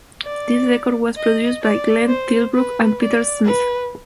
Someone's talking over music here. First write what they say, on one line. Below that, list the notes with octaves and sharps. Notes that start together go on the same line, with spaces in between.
This record was produced by Glenn Tilbrook and Peter Smith.
D5
D#5
D5
C5
B4
D5
B4